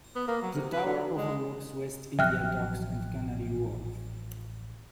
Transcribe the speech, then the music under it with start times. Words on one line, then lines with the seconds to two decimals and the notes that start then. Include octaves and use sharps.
The tower overlooks West India Docks and Canary Wharf.
0.15 B3
0.28 A#3
0.42 F#3
0.54 C3
0.72 B4
0.85 D3
1.17 G#3
2.19 A1 F3 F#3 E5 G5 F6 F#6